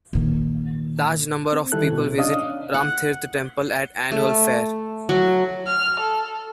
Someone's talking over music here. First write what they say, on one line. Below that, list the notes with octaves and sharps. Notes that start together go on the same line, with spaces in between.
Large number of people visit Ramtirth Temple at annual fair.
A#2 D#3
C4
D#3 G3 E4 A4 F#6
B2
C#4 D4 D#5 F5 D#6
F#5
A3
F#3
F6
A4